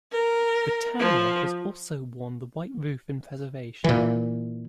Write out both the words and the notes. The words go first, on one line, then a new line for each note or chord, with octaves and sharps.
"Britannia" has also worn the white roof in preservation.
A#4
F3
A#2 E3